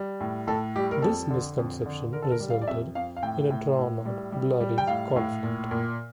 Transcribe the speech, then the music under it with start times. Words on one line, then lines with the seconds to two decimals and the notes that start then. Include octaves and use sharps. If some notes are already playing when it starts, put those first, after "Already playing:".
This misconception resulted in a drawn-out, bloody conflict.
Already playing: G3
0.20 A2
0.47 A2 A4
0.76 G3 G4
0.91 A#4
1.02 F2 A4
1.30 D3
1.58 F2
1.86 D3
2.13 D3 A#4
2.22 A4
2.31 A#4
2.40 G3
2.50 F5
2.62 D5
2.68 F2 E5
2.95 F2 F5
3.16 F5
3.23 A2 G5
3.50 A2
3.78 A2
4.05 G3
4.32 G3
4.60 G3
4.78 G5
4.87 A2 F5
5.16 A2
5.44 A#2
5.71 A#2